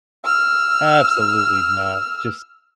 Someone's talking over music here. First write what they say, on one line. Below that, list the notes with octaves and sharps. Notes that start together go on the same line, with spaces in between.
Absolutely not, just
E6 F6